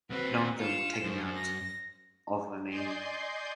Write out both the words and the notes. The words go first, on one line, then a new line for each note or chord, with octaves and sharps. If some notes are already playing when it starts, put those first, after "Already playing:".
None of them were taken out of Romania.
D#2 C4 F#4 B4
F4 C#7 E7
F#2 C5
A#6
D5 D#5 G#5 C6 G6 C7